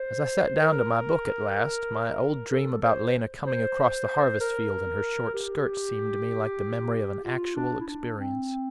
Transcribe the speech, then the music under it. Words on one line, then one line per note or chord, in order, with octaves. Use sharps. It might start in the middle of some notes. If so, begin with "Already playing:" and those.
As I sat down to my book at last, my old dream about Lena coming across the harvest field in her short skirt seemed to me like the memory of an actual experience.
Already playing: C5
A#4
A4
C5
C5
A#4
G4
F4
D4
E4
D4
C4